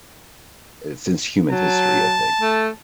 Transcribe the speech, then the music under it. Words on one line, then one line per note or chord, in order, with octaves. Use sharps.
eh, since human history, I think.
F#3 A5
A3